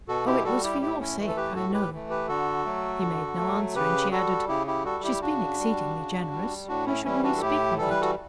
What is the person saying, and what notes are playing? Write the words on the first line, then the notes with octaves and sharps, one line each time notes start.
"Oh, it was for your sake, I know!" He made no answer, and she added: "She's been exceedingly generous...Why shouldn't we speak of it?"
B2 F#4 A4
E4 G4
G3 F#4 A4
E4 G4
A2 E4 G4
C#4 E4
E3 A3
A4
G4 B4
A2 F#4 A4
G4 B4
E3 A3
G4 B4
D3 F#4 A4
F#3 A3
D3
F#3 A3
C#3 G4 B4
G3 F#4 A4
C#3 E4 G4
E4 G4
G3 F#4 A4
E4 G4
C#3 D4 F#4
G3
C#3
G3
A2 D4 F#4
C#4 E4
E3 G3 C#4 E4
D4 F#4
A4
A2 E4 G4
E3 G3 A4
B4
F#4 A4